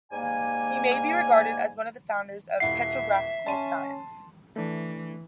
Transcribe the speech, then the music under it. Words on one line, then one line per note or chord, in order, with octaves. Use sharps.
He may be regarded as one of the founders of petrographical science.
G#2 G3 A#3 G#5
D#1 E4 E5 F#5 C7
C#4 A5 C6 D#7
E3 A3 D4